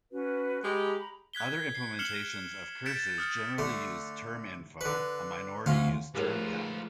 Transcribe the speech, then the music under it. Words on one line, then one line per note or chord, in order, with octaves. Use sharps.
Other implementations of curses generally use terminfo; a minority use termcap.
C#4 F#4 B4
G#3 G4 A#5 B5
F#6 G#6 B6 G7
C7
F6 C7 C#7 E7 F#7 G7
G6 A6 B6 C#7 D7 E7
D#6 F6 C#7
D3 A3
D3 B4
D2 C#4 F4
G#2 F3 A3 F4 G4 A#4 B4 C#5